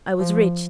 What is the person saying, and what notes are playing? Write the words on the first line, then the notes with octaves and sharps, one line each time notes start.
I was rich.
F3